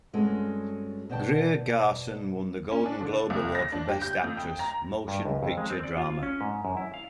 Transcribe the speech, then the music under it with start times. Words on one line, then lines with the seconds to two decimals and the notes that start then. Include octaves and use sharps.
Greer Garson won the Golden Globe Award for Best Actress - Motion Picture Drama.
0.13 G2 G#3 C4 C#4 F#4 A4
1.09 B2 B3 C5 D5 G5 A5
2.71 C#4
2.86 D4
3.01 D3
3.30 C2
3.55 A#6
3.72 D4
3.89 G4
4.02 G6
4.24 F2
4.37 G5
4.59 A#5
5.08 G2
5.25 C#2
5.43 F2
5.57 G#3
5.70 C4
5.83 D5
5.97 F4
6.23 C#4
6.41 G#2
6.65 F#2
6.77 E4
6.94 F5